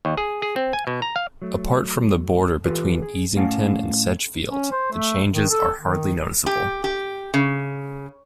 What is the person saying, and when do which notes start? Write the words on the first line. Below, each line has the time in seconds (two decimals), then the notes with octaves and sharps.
Apart from the border between Easington and Sedgefield, the changes are hardly noticeable.
0.05 D#2
0.17 G#4
0.42 G#4
0.56 C4
0.73 G#5
0.87 B2
1.02 A#5
1.16 F5
1.42 F#3 A3
2.65 E3 F4 G4 A4 B4
3.02 G#4
3.36 A2 A3 C#4 F5 F#5 A5
4.50 C#4
4.71 C5
4.92 A3
5.32 D#3
5.50 A4
5.80 D#3
6.46 G4
6.84 G4
7.34 C#3